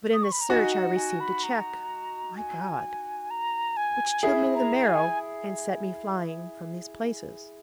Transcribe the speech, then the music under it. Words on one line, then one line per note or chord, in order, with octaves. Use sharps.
But in this search I received a check, my God, which chilled me to the marrow, and set me flying from these places.
D#6
C#6
B5
A#5
D#4 F#4 G#5
F#5
G#5
B5
A#5
G#5
A#5
G#5
E4 G#4
A#5
G#5